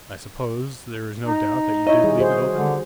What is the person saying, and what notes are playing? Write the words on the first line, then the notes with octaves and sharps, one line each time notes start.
'I suppose there is no doubt that you did leave it open?'
D#4
E4 C#5 D#5
D#3 G3 G#4
F#4 G#4 C5
D3